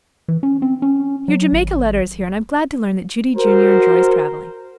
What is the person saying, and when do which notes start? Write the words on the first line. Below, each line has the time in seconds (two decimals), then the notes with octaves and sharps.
Your Jamaica letter is here, and I'm glad to learn that Judy, Junior, enjoys traveling.
0.28 E3
0.43 C#4
0.62 C4
0.82 C#4
1.28 F#3
1.52 G#1
3.37 F#4 A#4 C5